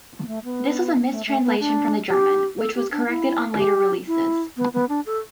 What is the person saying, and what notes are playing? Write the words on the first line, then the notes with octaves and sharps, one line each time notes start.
This was a mis-translation from the German, which was corrected on later releases.
B3
A3
B3
A3
A3
B3
D4
G4
A4
G4
D4
E4
G4
E4
B3
B3
D4
A4